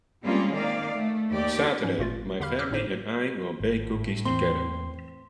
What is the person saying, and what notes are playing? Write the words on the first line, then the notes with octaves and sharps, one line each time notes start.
Saturday, my family and I will bake cookies together.
G3 G#3 A#3 C4 C#4 F4
D#3 A#3 D5 F5
A3
D#2 G4 D5
G#2 F3 C#4
G#1 A#2 A3 F4 A6
E2 D3 G4 F5 B5 F6
D6 E6 F6
G#1 A2 D#4 C5
G#1 A2
E2 E3 A#3 C4 C6